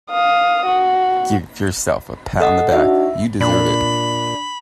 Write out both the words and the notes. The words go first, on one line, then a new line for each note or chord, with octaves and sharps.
Give yourself a pat on the back, you deserve it.
F5 D#6
F#4
A4 D#5 F#5
D4 D#4 F#4 E5
A#2 D4 B5